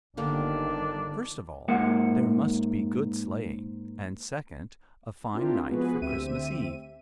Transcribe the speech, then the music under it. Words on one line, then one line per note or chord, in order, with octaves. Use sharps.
First of all there must be good sleighing,--and second, a fine night for Christmas eve.
G1 D3 D#3 A#3 D4 G4
G#2 A#3 F#5
C4 D4 E4 F4 G4 A#4
F3 G#3 B3 F#4 G#4 B4
D2 C4 G4 E5 D#7